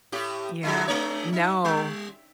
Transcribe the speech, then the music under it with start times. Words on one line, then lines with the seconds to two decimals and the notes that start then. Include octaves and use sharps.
Yeah. No.
0.12 A2 G4
0.63 F3 G#3 E4
0.88 G#3 D4 C#5
1.33 D#4
1.65 G3